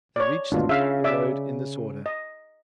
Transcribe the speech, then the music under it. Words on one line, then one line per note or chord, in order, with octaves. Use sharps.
They reached the road in this order.
C#5 D5
G#1 D2 B2 D4 F4
C#3 E5 F5
D5 E5 D6
D#5